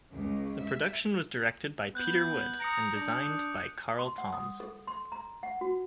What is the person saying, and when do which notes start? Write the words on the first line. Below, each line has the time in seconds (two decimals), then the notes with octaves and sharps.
The production was directed by Peter Wood and designed by Carl Toms.
0.13 C#2
0.61 E5
1.95 B3 F#6 G6 F#7
2.60 A#5 D#6 C#7 D7
2.96 D4
3.99 C6
4.18 F#5
4.33 D#6
4.60 A4
4.87 C6
5.12 A#5
5.43 F#5
5.61 F#4